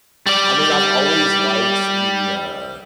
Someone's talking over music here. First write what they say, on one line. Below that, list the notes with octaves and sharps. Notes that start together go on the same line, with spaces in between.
I mean, I've always liked the, uh
G3 D5